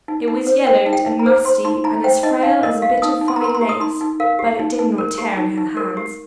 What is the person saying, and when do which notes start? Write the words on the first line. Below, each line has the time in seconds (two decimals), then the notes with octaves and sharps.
It was yellowed and musty and as frail as a bit of fine lace, but it did not tear in her hands.
0.08 D#4
0.28 D#4
0.47 C5
0.67 C5 G5
0.86 D#4
0.93 G5
1.06 D#4
1.19 A#5
1.26 C5
1.45 C5 C6
1.65 D#4 C6
1.84 D#4 A#5
2.04 C5 G5
2.23 D#4 D#5
2.43 D#4 F5
2.63 A#4 D#5
2.82 G4 F5
3.02 D#4 D#6
3.21 D#4
3.28 C6
3.36 A#5
3.41 A#4 C6
3.49 A#5
3.55 C6
3.61 G4
3.69 D#6
3.80 D#4 C6
4.01 D#4
4.20 A#4 F5
4.39 G4
4.60 D#4
4.79 D#4
4.98 A#4
5.18 G4
5.37 D#4
5.58 D#4
5.77 A#4
5.97 G4